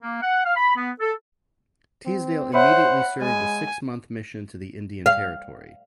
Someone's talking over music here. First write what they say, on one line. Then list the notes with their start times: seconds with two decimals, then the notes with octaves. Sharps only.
Teasdale immediately served a six-month mission to the Indian Territory.
0.01 A#3
0.22 F#5
0.45 F5
0.57 B5
0.76 B3
0.99 A4
2.06 C4
2.54 C5 C#5 E5 F#5 B5
3.21 G#3 G#5
5.06 F5